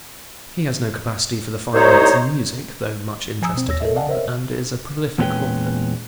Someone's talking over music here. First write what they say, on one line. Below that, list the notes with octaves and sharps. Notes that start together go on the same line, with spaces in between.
He has no capacity for the fine arts and music, though much interested in them, and is a prolific author.
C2 D#4 C5 C#5
F3 G#5 A#5 D#6 E6
B2 C4
D#2 C#5 E6 A#6
A4 A#4 C#5 D#5 E5
D5 D#5 F5 F#5 G#5 A5
A#4 C5 C#5 D#5 E5
E2 A#2 G#3 C#4 B4 G5